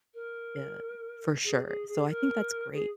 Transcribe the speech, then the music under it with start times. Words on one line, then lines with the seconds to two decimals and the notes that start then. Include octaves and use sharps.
yeah, for sure. So, I think that's great,
0.14 A#4
1.44 G#4
1.66 G#4
1.88 G#4
2.09 A#4
2.74 G#4